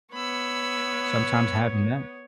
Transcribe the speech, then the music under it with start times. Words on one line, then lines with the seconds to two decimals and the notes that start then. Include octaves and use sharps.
sometimes having that
0.14 B3 C#5 B5 E6